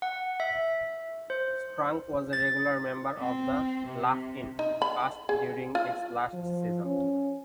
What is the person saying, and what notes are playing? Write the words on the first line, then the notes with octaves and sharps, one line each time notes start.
Strunk was a regular member of the "Laugh-In" cast during its last season.
F#5
E5
C5
A6
C4
C3
D#4
B5
G#4
F4
F3
C#4